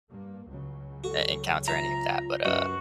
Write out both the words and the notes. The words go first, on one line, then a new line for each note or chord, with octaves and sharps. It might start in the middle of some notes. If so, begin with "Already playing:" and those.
en encounter any of that, but, uh,
G2 A#3
C#2 C#3 F#3
F#4 A4
F4 E5 A#5
F#2 F#4 B4